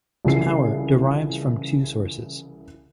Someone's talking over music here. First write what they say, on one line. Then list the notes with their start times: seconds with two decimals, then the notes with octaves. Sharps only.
This power derives from two sources.
0.25 C2 C#3 E3 F3 C7